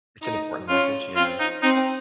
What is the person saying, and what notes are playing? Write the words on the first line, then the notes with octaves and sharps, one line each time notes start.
It's an important message, yeah.
D#4
C#4 F4
C4 F4
D#4
C4 D#4